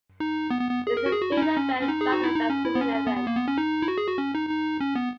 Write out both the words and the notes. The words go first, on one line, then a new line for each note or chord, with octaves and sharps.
It is a field event rather than a swimming event.
D#4
B3
B3
B3
G#4
A#4
F#4
G#4
F#4
E4
C#4
D#4
C#4
C#4
D#4
G#4
F#4
E4
D#4
C#4
E4
B3
C#4
C#4
B3
B3
A#3
B3
C#4
D#4
E4
F#4
G#4
F#4
C#4
D#4
D#4
C#4
B3